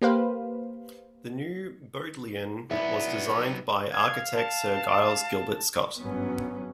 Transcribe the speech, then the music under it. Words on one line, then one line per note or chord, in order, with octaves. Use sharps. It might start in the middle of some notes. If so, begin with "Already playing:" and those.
The New Bodleian was designed by architect Sir Giles Gilbert Scott.
A#3 G4 B4 C5 F5
B1 B3 E4 D5 E5
F5 G#6
A5
G#1 G2 F#3 B3 C#4